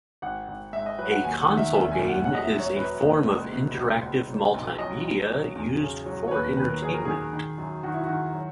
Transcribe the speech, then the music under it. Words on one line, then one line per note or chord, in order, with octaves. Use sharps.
A console game is a form of interactive multimedia used for entertainment.
G#1 F#5
G#1
G#2 E5
D#5
F#3 B4
F#5
D#2 G#5
F#5
D#3
E5
E1 E5
G#5
D#2
F#5
F#3 F#5
D#5
E5
F#2
C#5
F#2 B4
F#1
C#2
B2
C#2
C#2
F#3
B1
F#3 D#5
B1
F#3
E2
C#3
F#3
C#5
D#2 B4
D#3 B4
A#4
F#3 G#4
A#4
D#3 G#4
D#3
F#2
D#3 F#4
E4
F#4
D#3
F#3